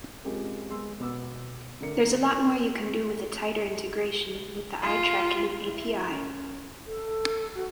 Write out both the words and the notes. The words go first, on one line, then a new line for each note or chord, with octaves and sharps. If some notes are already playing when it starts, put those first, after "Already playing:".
There's a lot more you can do with a tighter integration with the eye tracking API.
G#3 C4 C#4 F4 G4 A#4
G#3 B3 C6 E6
B2 B3 D6 E6
D3 A3 D4 A#4 C#7
F4
E4
C#4
A4
F#4